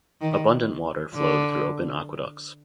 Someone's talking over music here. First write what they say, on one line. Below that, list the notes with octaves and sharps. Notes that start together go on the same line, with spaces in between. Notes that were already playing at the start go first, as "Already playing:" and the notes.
Abundant water flowed through open aqueducts.
D#3
D3